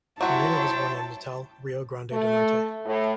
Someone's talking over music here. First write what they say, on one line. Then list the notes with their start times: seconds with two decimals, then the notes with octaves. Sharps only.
Marinho was born in Natal, Rio Grande do Norte.
0.21 F#3 E4 F#4 C5 C#5 G5 A5
2.12 A3
2.86 A2